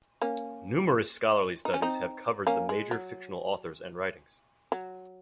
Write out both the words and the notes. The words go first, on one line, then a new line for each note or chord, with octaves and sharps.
Numerous scholarly studies have covered the major fictional authors and writings.
A#3 C#4
D#4
C#4
C4 D#4
A#3 C#4
G#3
F#3
F#3